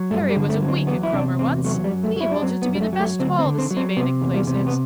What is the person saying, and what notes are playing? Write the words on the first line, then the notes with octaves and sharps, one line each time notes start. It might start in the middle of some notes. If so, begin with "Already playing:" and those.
Perry was a week at Cromer once, and he holds it to be the best of all the sea-bathing places.
Already playing: F#3
G2 A3
G3
D3
A3
F#3
C4
E2 B3
E4
C3 D4
E2 C4
F#3 A3
G3
F#2
A3
F#3 E4
D4
F#3 C4
B3
F#2
G3
A3
F#3
A3
D2 C4
C4
D3
C4
F#3
C4
C3 B3
E2
G3
C3
G3
B3